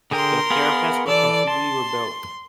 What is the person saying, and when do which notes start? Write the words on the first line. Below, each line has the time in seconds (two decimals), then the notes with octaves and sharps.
The parapets were completely rebuilt.
0.11 D3 G#4 A#4 G5 C6
0.50 B3 G#4 F5
1.07 E3 A4 D5
1.47 A5 C6